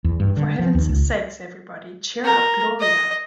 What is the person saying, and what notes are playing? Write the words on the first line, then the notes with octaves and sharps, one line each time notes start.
For Heaven's sakes everybody, cheer up Gloria.
E2
G2
D3
F3
D#2
C#2
A#4
D#5